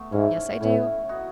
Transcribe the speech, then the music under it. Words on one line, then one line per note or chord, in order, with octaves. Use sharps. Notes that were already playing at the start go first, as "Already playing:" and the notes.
"Yes, I do."
Already playing: A3 B3
G#2 C#4 E4
A2 C#4 E4
D#4 F#4